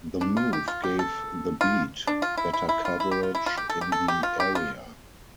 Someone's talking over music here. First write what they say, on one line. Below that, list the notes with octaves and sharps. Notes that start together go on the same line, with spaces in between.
The move gave The Beat better coverage in the area.
D4
F4
G4
F4
G4
A4
F4
D4
F4
E4
E4
E4
F4
E4
G4
F4
E4
F4
G4
A4
G4
A4
G4
F4
G4
F4